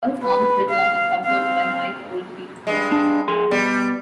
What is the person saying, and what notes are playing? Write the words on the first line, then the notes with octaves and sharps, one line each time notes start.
All songs written and composed by Mike Oldfield.
B4
F5
C4 F5
G2 G#3
D4
F3 G#4 C6
B2 G3